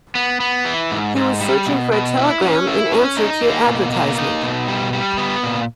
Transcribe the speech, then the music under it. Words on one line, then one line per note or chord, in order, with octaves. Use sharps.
He was searching for a telegram in answer to your advertisement.
B3
B3
E3
G#2
G#2
G3
B2
B2
E4
C#4
E4
C#4
D#4
A#3
B2
A#3
D#4
B2
G3
G3
B3
A#2